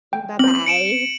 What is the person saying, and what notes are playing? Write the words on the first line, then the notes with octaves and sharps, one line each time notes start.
M Bye-bye.
G5
C4 C5 F#7
C#7 D7 E7